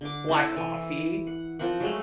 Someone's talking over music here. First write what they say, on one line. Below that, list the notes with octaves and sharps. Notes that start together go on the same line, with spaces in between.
black coffee,
D3 D6
C4 E4 A4
E3
F#5
F3 C4 A#4 F#5
F#3 G#3 A3